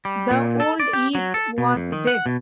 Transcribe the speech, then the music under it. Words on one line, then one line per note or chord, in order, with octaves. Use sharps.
The Old East was dead.
G3
A#2
A4
D5
G4
F#3
A4
B2
F2
D#3
F#5
B2